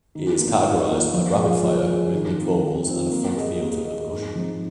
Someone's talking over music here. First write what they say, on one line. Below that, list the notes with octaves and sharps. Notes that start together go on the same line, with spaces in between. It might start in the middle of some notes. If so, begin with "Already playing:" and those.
It is characterized by rapid-fire, rhythmic vocals and a funk feel to the percussion.
D#3
A#3 F4
D#3
A#3 F4
F3
G#3 F4
F3
G#3 F4
D#3
C4 F4
D#3
C4 F4
A#3
G#4 D#5
A#3
G#4 D#5
G#2
F3 C4 D#4